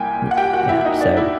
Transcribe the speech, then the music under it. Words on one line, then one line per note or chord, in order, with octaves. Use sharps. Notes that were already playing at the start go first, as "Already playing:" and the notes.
Y yeah. So,
Already playing: C2 A#2 G5 G#5
F#5
G4 G5
F#4 F#5
E4 E5
D#4 D#5
D4 D5
E4 E5